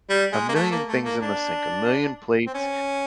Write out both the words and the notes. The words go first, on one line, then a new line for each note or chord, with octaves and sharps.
a million things in the sink a million plates,
G3
G#3
A#3
A3
A#3
A3
A#3
D4
C4
C#4